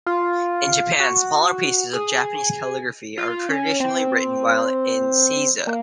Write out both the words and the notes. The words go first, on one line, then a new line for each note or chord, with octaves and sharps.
In Japan, smaller pieces of Japanese calligraphy are traditionally written while in seiza.
F4
F#4
G#4
F4
C#4
C4
A#3